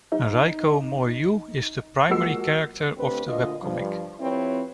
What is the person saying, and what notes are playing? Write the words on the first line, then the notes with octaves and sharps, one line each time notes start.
Reiko Mouryou is the primary character of the webcomic.
D#4
F3 G#3 A#3 F#4 E6 C7
D3 A3 C4 G4 B4
D2 A#2 D3 F4 D#5
G2 F3
F3 C4 E4 G4 B4 C#5